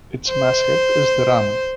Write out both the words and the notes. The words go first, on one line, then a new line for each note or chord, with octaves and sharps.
Its mascot is the ram.
C5